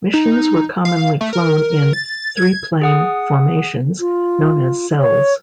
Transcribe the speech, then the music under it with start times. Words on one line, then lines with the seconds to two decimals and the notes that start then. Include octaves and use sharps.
Missions were commonly flown in three-plane formations known as "cells".
0.14 D#4
0.85 F5
1.21 A3
1.33 A#4
1.93 A6
2.37 G#6
2.82 G#4 F#5 D#6
4.00 F4
5.00 C#5